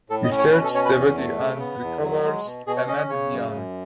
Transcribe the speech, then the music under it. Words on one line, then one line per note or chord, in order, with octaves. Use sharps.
He searches the body and recovers a medallion.
A2 A4
D#5
C#4
C#5
B2 B4
A4
C#4 C#5
B4
E2
A3
C#3
B3
E2
F#3
G#3
B2
B2 G#4
C#5
C#4 D#5
D#5
C#3 C#5
F#2
F#2